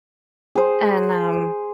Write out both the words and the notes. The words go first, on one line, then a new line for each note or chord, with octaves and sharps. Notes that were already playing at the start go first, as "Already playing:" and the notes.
And, um
G#4 C5